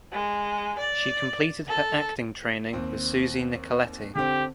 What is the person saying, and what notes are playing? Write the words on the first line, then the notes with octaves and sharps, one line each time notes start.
She completed her acting training with Susi Nicoletti.
G#3
D5
A4
D#2 C4
D3 C4 G4